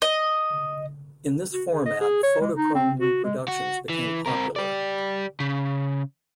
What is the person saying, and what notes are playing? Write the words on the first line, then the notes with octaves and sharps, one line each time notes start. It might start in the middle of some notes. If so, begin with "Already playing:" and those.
In this format, photochrom reproductions became popular.
D#5
F#4
G#4
D#5
G#4
C#5
G#3
D#4
C4
F#4
G#3
F#4
E3
C4 A#4
G4 D5
C#3